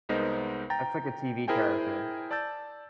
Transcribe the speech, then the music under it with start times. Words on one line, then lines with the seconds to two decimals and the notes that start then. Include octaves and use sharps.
That's like the TV character.
0.09 C2 G#3 B3 D#4 A#4 C5
0.70 G5 A#5 A6
1.48 E4 G#4 A#4 C5 G5 G#5
2.31 D5 A5 E6 G6 A6